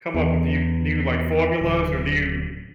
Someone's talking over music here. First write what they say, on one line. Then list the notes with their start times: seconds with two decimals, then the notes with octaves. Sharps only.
come up with you new like formulas or new
0.14 E2
1.61 D1